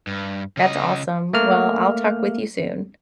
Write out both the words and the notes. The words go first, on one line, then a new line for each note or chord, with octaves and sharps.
That's awesome. Well, I'll talk with you soon.
G2
C#3 D#5
A3 A#3 F6